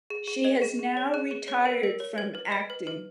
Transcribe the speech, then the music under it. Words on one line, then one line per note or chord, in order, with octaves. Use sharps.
She has now retired from acting.
G#4
G#4
D#5
G#4
G#4
C#5
G#4 F#6
G#4
C#5
A#4
A#4
C#5
B4 G#6
B4
D#5
B4
B4